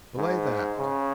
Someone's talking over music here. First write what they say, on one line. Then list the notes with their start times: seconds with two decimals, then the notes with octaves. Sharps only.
"Belay that!"
0.17 G#2
0.78 C#3